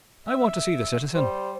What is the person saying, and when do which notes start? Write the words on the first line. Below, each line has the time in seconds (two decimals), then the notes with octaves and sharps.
I want to see the citizen.
0.27 E5
1.15 G3 C5